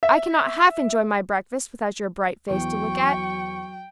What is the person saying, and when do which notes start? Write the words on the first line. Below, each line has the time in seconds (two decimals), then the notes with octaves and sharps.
"I cannot half enjoy my breakfast without your bright face to look at."
0.03 E5
2.50 E2 F#3 G5 C#6